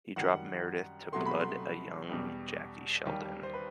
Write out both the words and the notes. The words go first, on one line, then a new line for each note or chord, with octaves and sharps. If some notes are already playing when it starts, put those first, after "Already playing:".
He dropped Meredith to blood a young Jackie Sheldon.
F#2 D#3 G3 F#5
C2 B2 F#3 A3 C6
B5
C6
E2 B2 G3
D#2 D#3 G3
C5
B4